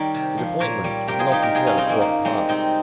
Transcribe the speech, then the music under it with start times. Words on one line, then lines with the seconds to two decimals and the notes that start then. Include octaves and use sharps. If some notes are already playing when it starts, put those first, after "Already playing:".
His appointment was not until a quarter past.
Already playing: D#3 G3 D#4 A#4 C#5
0.15 C3
0.38 F3
0.60 A#2 A#4 C#5
0.84 G3
1.08 C3 G4 A#4
1.19 F4 G#4
1.29 G3 D#4 G4
1.42 G4 A#4
1.55 C3 F4 G#4
1.66 C#4 F4
1.78 G3 C4 D#4
1.89 A#3 C#4
2.01 C#3 A#3
2.25 G3 G#3 C4
2.49 C3 C4 D#4